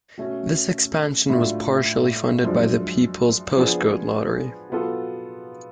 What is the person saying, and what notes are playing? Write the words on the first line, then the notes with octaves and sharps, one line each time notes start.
This expansion was partially funded by the People's Postcode Lottery.
B2 A3 C#4
A2 F#3 A3 D4 F4
F#2 F3 G#3 D4
F3 B3 D4 G#4
B2 F#3 B3 F4 A4